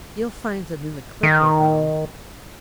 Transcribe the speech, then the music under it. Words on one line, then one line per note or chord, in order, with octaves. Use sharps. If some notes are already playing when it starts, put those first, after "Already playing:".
You'll find them in the 'Clipper,' though.
D#3